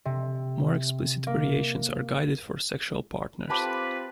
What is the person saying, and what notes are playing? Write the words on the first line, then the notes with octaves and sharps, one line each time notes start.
More explicit variations are guides for sexual partners.
C3
A#3
C4 F4 G4 B4 A5 B5 D6